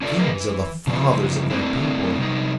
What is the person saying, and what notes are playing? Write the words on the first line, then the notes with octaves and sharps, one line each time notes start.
Kings are the fathers of their people.
C#4 D4 F4 G#4 A4 D5
A3 G#4 A#4 B4 D#5 F5
E3
C#3 E3 F3
A3 A#3 C4 D4 E4
C3 G3 D#4